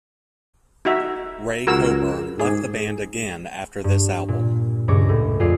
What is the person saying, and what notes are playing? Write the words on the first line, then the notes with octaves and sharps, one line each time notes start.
Ray Coburn left the band again after this album.
D#4 F#4 E5
C#2 F#4 A#4 E6
G#2 G#4
G2
A#2
C#2 G2 C#5 D6 A#6
A2
F2 F4 G#4 D5 F5 C7